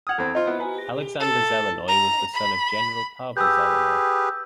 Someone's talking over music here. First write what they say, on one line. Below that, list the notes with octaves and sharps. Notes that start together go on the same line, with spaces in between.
Alexander Zelenoy was the son of General Pavel Zelenoy.
F#5 D#6 F6 G#6 F7
E2 C4 A4 B5 G#6
D#4 F4 C5 D#5
B3 E4
B4 G#5 A#5
A#6
A4
A#5
B5
G4 G#4 B4 E6 G6